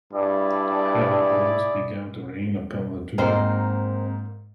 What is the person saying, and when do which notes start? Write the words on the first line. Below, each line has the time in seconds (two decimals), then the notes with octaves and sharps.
Heavy blows began to rain upon the door.
0.13 G2 E4 G#4 D5
3.18 G#2 A#3 C4 D#4 A#4 C5